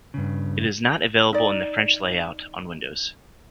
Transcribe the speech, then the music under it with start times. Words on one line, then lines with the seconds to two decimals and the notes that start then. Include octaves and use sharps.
It is not available in the French layout on Windows.
0.14 G2 C#3
1.33 D#4 D5